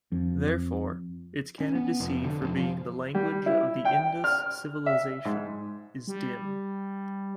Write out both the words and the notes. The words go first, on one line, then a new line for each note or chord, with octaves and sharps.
Therefore, its candidacy for being the language of the Indus Civilization is dim.
F2
C#4
B3
F1
D3
F1
F3
G3
E4
G5
F6
E5
G#2
G3